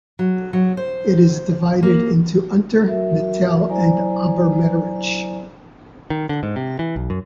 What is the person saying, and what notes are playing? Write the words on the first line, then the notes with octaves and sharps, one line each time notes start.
It is divided into Unter-, Mittel- and Obermeiderich.
F#3
F#3
C5
A#3
F#3 F#4 A#4 E5
F#3 E4 C5 D5 G#5 A#5
D#3
D3
G#2
C3
E3
B1
F#2